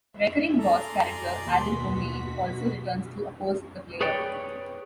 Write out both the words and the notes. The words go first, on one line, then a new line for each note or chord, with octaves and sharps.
Recurring boss character Allen O'Neil also returns to oppose the player.
E5
G#4 A4 D5 A#5 C6
D#2 B2 F#4 C6 B6
G#4 B4 C#5 D5 G5